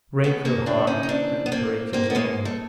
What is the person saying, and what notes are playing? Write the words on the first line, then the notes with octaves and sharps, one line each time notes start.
Break her heart and break his own.
D#2 C#3 E3 A3 B3
A#3 C4
C4 D4
C#4 D#4
D#4
C4 D4
B3
A#3 C4
A#3 C4
B3
G#3 A#3
A3